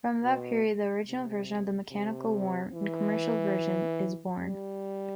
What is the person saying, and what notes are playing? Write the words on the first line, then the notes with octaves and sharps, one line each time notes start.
From that period, the original version of “Mechanical Worm” in commercial version is born.
B2
C3
C3
E3
G3